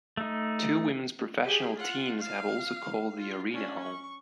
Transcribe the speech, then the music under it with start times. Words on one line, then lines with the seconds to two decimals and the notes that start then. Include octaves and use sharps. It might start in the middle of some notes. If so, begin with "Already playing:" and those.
Two women's professional teams have also called the arena home.
0.17 A3 D#4
1.44 G4 G#4
1.78 F4 F#5
2.19 F5
3.18 F4
3.51 C#4 D4
3.83 C#6